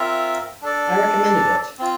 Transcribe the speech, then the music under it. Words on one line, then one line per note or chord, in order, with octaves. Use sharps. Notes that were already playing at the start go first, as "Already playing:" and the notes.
I recommended it.
Already playing: C4 F4 A#4 E5
D4 A4 D5
C4 F4